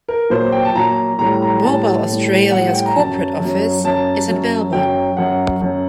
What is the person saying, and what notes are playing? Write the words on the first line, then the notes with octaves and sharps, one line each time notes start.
Mobil Australia's corporate office is in Melbourne.
A#4
A#2 F#3 C5
G5
A5
A#2 F#3 A#5
A2 G3 A#5
A#5
A2 G3 A5
A2 G3
A2 G3 F#5
G5
A#5
F#2 F#3 A5
F#2 F#3
F#2 F#3 A5
F#2 F#3
F#2 F#3 G5
F#2 F#3 F#5
F#2 F#3